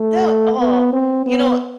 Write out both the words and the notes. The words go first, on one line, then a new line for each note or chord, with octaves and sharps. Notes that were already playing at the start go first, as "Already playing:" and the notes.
the oh, you know,
Already playing: A3
B3
C4
B3